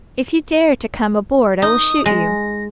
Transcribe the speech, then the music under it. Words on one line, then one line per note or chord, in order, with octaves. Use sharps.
If you dare to come aboard I will shoot you.
D#4 D#6
G#3 A#6